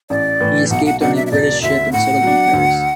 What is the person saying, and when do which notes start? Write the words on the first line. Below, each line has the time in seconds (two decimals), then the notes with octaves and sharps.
He escaped on a British ship and settled in Paris.
0.10 A1 D5
0.40 A2 E3
0.70 B1 F#5
0.86 F#5
1.01 B2 F#3 D4 F#5
1.16 E5
1.27 E5
1.31 E1 D5
1.62 D2 D3 E5
1.93 A2 F#5
2.23 F#3 D4
2.53 D2